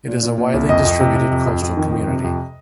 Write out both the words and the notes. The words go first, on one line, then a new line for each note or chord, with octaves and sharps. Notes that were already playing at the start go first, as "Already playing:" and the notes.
It is a widely distributed coastal community.
A#2
A#2
A#2
C2
F2 D#5
F2
C3
C3
F2
F2
F2
D#3
F2
C3
F2